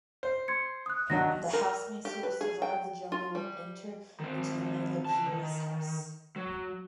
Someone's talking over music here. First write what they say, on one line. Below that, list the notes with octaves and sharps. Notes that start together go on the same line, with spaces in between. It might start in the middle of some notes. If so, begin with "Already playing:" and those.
The housemates who will survive the jungle will enter into the main luxurious house.
C5
C6 G#6 C#7
D#6 F#6
D#2 F#3 D4 F#5 A#6
A#4
G4
B4
G#4
G5
F4
G3
D#3 C4
C#3 A5
D#3
F#3